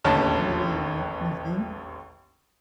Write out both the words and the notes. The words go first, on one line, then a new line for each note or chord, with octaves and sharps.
Mm, mhm.
E1 A1 D#2 D3 C#4 A5